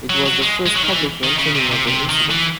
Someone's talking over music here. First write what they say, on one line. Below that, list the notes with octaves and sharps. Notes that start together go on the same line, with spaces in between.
It was the first public mentioning of the incident.
F#3
F#3
G#3
G#3
F#3
D#3
E3
D#3
C#3
C3
C3
C3
D#3
E3